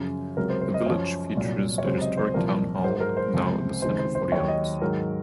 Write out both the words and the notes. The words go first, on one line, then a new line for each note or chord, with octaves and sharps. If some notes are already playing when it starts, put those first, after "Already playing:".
The village features the historic Town Hall, now the Centre for the Arts.
Already playing: F#2 C#3 F3
C#2 C3 F#3 A#4
C5
C5
D#5
F#2 F3 C#5
C2 A#2 F#3
C#5
C#2 C3 F#3 C5
D#5
C5
C2 A#2 F3 A#4
G#2 F#3 C5
A#4
C5
C#2 C3 F3
C#2 C3 D#3 C5
C5
C5
D#2 D#3 F#3 C#5
D#5
G#2 D#3 F#3 A#4